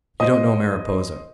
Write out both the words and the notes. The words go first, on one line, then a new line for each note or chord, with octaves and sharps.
You don't know Mariposa.
C5 D#5